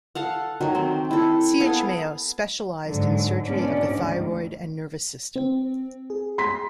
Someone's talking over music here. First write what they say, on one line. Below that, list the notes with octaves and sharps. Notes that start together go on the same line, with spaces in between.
C. H. Mayo specialized in surgery of the thyroid and nervous system.
A4 F5 F#5
D#3 F#3
C4
E4 A4
B3 G#4 A4 F5
G#2 D3 F#3
B2 G#3 B3 C#4 D4 D5
D2 G#2 D#3
C4
G#4
C6 B6